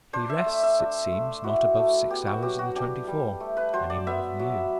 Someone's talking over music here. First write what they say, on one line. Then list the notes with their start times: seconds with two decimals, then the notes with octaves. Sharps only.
He rests it seems not above six hours in the twenty-four--any more than you.
0.13 D4 C5
0.29 E5
0.46 A3
0.63 E5
0.79 D4
1.12 A3
1.44 E4 F#4
1.77 A3
2.09 B3 G4
2.27 F#4
2.42 F#3 G4
2.59 F#4
2.75 D4 G4
3.08 G3
3.40 A3
3.57 B4
3.73 F#3 C5
3.90 D5
4.07 B3 E5
4.39 F#3